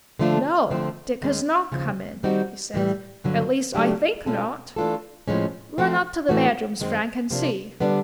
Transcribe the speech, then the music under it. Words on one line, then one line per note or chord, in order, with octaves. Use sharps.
"No, Dick has not come in," he said, "at least, I think not. Run up to the bedrooms, Frank, and see."
D3 F3 A3 D4 F4
D3 F3 A3 C4
D#2 D#3 G#3 C#4
D#2 C#3 F3
D#3 G3 C4 D#4 F#4
A2 E3 G3
G2 D3 F#3
C#3 F#3 A3 D4 G4
B2 G#3 C#4 F4 A4
E3 A3 D4 F4 A4
A2 F3 G#3 C#4
F3 A3 C4
A2 E3 A3 C#4 F#4
F#2 D#3 G#3 C4
C3 F3 A#3 D4
D3 G3 B3 D4